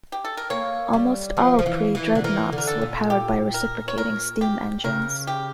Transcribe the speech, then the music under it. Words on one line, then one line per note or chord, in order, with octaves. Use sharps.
Almost all pre-dreadnoughts were powered by reciprocating steam engines.
G4
A4
A#4
A#3 C#5
G3
F3
F3
E3
E3
D3
E3 A#4
D3
A#4
A4
A#2
G4
A#4
C#5
A#4
G4
C#3 A#4
G4